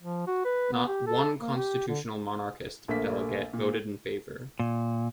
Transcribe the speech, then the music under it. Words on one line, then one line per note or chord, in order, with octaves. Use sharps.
Not one constitutional monarchist delegate voted in favour.
F3
F#4
B4
B3
G4
A4
A#3
G4
D3
A#1 A3 A#3 B6
A#2
A#2